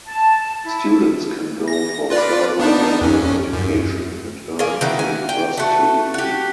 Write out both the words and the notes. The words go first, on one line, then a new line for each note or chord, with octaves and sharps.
Students can go for further general education and earn a university degree.
A5
E4
A#6
F4 B4 D5
B3 D4 D#4
F2 C#4
F#2
A#3 G#4
D#3 E3 F#4
G#5
G5
A3 F#4
F#4 G4